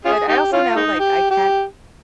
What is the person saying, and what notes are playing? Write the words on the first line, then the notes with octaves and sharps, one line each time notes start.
but I also know, like, I can't
C#4 F4 G#4
D#4 G4
C#4 F4
G#3 D#4
G4
G4